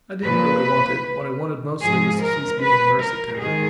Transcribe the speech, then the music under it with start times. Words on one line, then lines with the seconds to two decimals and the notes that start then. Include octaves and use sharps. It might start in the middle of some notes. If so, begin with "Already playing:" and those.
I didn't really want it; what I wanted mostly was to cease being a nurse-attendant.
0.23 A#2 F3 B4
1.81 G#2 F3 G#4
2.21 A#4
2.60 B4
3.00 A#4
3.39 G#2 D#3 G#4